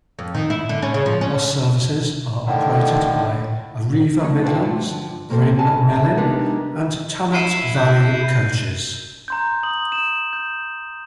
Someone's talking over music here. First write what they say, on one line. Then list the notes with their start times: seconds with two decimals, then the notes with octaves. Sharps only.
Bus services are operated by Arriva Midlands, Bryn Melyn and Tanat Valley Coaches.
0.19 F2
0.35 D#3
0.50 E4
0.69 D3
0.82 C#4
0.94 C#3
1.06 F3
1.21 C#4
2.46 A2 D3 D#3
4.20 D3 F#3 A3 D#4
4.44 B2 D4 F4 C5 F5 G5
4.58 G2 D3 F3
5.29 G3 A#3 C4 A4 C5
5.57 G#2 C#3 F#5 G#5 A5
6.17 G#3 B3 D4 D#4 G4 A#4
7.34 E4 C7 D#7 G7
7.75 F#6 G6
9.28 A#5 C6 G6
9.63 D#6 F#7
9.92 E7
10.33 G6